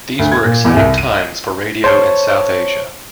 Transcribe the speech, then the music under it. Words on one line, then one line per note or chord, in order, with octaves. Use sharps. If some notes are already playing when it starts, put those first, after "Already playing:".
These were exciting times for radio in South Asia.
D2
G#6
A#2
E2
C2
D#7
D#5
C5 C#5 A5 C#6